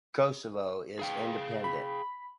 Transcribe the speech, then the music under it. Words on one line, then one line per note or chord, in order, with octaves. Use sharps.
Kosovo is independent.
G#4 F5 G5
B5